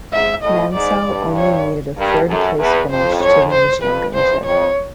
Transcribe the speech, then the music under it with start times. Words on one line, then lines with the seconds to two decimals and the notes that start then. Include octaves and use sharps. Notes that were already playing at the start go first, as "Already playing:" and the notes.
Mansell only needed a third-place finish to win the championship.
0.12 G#2 E5
0.43 A2 D#5
0.74 G#2 D5
1.05 G2
1.36 C#5
1.97 G2 A#4
2.29 F#2 A4
2.59 E2 B4
2.90 F2 C5
3.21 C#5
3.52 C5
3.83 F2 B4
4.14 E2 C5
4.45 F2 C#5